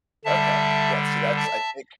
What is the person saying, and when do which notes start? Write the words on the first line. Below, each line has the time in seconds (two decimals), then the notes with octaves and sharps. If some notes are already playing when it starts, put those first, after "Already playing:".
Okay, yeah, see, that's I think
0.25 D3 G3 E5 A5
1.36 E5 A5